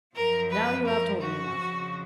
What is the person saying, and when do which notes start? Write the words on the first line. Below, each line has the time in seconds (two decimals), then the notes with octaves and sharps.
Now you have told me enough.
0.15 F#2 F3 A#4
0.51 B4
0.85 A#4
1.20 F#4
1.54 F2 C#3 F3